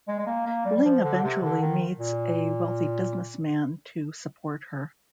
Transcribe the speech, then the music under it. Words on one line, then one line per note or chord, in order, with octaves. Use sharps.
Ling eventually meets a wealthy businessman to support her.
G#3
G#3
A#3
A#3
G3
G3
F3
D3
C3
D3
D#3
A#2